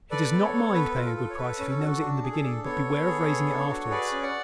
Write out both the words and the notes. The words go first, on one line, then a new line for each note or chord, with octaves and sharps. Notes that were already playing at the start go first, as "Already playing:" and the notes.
He does not mind paying a good price if he knows it in the beginning, but beware of raising it afterwards.
A4 B4 D5
B3
A4 C#5
B3
A4 B4
F4
A4
A4
C#5
A4 B4
C#4
A4
F#4
D4
G#4
A4
D4
B3 A4 C#5
B3
G#4
B3
D4
F#4
G#4 B4 D5
C#4
D5 F#5